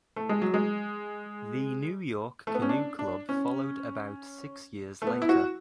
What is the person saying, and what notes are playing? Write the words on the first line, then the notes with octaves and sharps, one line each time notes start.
The New York Canoe Club followed about six years later.
A3
G#3
F#3
G#3
A3
B3
C#4
D4
D4
C#4
A3
B3
E4
F#4